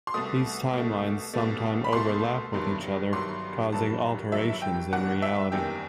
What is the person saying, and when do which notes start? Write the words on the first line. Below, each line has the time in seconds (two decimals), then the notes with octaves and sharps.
These timelines sometimes overlap with each other, causing alterations in reality.
0.07 C6
0.14 C2 B2 A3 D#6
0.73 C2 B2 A3
1.34 C2 B2 A3
1.84 B5
1.93 C2 B2 A3 C6
2.53 G1 G2 D#3 F#3
3.13 G1 G2 D#3 F#3 C6
3.72 G1 G2 D#3 F#3 A5
4.32 G1 G2 D#3 F#3 E5
4.62 G5
4.92 F#1 E2 D#3 G3 F#5
5.22 E5
5.52 F#1 E2 D#3 G3 G5